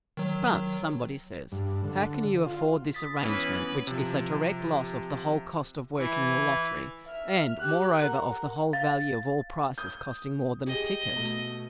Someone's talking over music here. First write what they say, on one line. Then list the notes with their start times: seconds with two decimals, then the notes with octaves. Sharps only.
"But," somebody says, "how can you afford this arrangement, which is a direct loss of the whole cost of working your lottery, and moreover of the whole value of all prizes costing more than a ticket?"
0.17 D#3 F#3
1.52 G2
1.84 D3
2.46 F4
2.94 D#6 A6 B6
3.23 E3 B3 C#4 B4
3.87 C3 F3
5.98 E3
7.06 E5 F6
7.60 G4 F#6
8.00 A#4 F#5
8.73 F5 A6
9.78 D#6 G6
10.67 G4 G#4 D#5
11.12 B2 A3